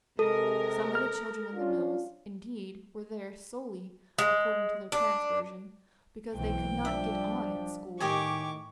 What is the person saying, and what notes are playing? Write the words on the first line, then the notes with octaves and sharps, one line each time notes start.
Some of the children in the mills, indeed, were there solely--according to the parents' version--because they could not "get on" in school.
C3 G#3 A4 A#4
F6
C#4 D4 F4
G#3
D4
B1 E3 C4 G5
F3 G3 D4 E5
A2 D#3 G4 D#5 G#5 C#6 D6